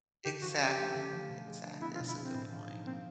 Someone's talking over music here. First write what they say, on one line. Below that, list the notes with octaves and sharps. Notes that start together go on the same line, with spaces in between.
Exactly. Exactly, that's a good point.
D3 G4
F3 F#4
C#4 G4
A3
D3
F3
B2
G#3
D4
B3 E4
F4
B2
E4
G#3 C4
A2
F3
D#4
A#3 C4